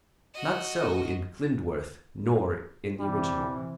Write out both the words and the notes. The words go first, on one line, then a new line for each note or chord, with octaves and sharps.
Not so in Klindworth nor in the original.
F#4 D#5
C3 E3 G3